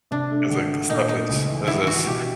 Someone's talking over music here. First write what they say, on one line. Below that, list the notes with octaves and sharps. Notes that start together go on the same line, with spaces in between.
It's, like, the stuff is is is
C3 D4
A3
G#1
D3
A#2 D#4
A3 D#4
C#2
E3
G#1 E4
E3 F#4
B2 G4